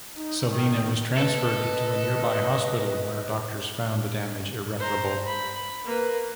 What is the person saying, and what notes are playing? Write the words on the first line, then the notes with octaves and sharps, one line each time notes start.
Selena was transferred to a nearby hospital, where doctors found the damage irreparable.
D#4
D#3
A4 B4 D#5
C5 A#5
B5
A#3 B4